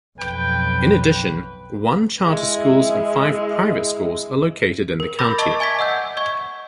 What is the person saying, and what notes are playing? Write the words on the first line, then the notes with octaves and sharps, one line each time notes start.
In addition, one charter schools and five private schools are located in the county.
B1 F2 B4 G5
G#3 E4
A#4
B5 D6 E6 G6 A6 A#6
D#5 A5 C#6 D6 A6
E5 G#5 C#6 G#6 A6 B6
D#5 F#5 E6 G6
D#5 C#6 G#6